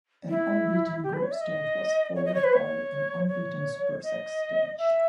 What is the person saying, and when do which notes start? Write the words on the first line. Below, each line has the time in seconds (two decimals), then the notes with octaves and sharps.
An unbeaten group stage was followed by an unbeaten Super Six stage.
0.29 E4
1.04 G4
1.13 B4
1.23 C#5
1.32 E5
1.41 D#5
2.16 C#5
2.25 D#5
2.34 C#5
2.44 B4
2.53 C#5
3.28 C#5
4.03 D#5
4.78 E5